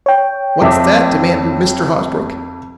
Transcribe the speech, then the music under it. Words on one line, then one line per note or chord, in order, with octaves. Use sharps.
"What's that?" demanded Mr. Hosbrook.
C#5 G5
F2 E5 D6